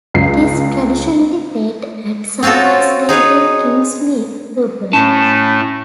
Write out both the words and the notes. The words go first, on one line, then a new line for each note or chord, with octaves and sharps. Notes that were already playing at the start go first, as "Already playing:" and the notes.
It is traditionally played at Sahara Stadium Kingsmead, Durban.
C#2 C#3 C7
C4 C#4 F4 F#4 A4
D#4 G#4 B4 C#5
A2 A3 C#4 A5